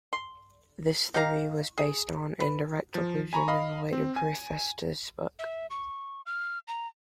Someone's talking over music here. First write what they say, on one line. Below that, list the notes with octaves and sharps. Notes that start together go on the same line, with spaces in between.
This theory was based on indirect allusion in a later preface to this book.
C6
D#4 G4 F5 A#5
G#4
B4
F3
G#5 A#5 B5 C#6
D#5 F5 B5
C4
G#5
E5
C#6
F6
A#5